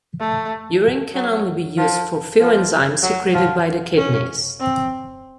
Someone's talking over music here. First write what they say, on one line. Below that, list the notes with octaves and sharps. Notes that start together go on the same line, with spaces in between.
Urine can only be used for few enzymes secreted by the kidneys.
A3
F#3
F3
F3
F#3
F3
C#4
C4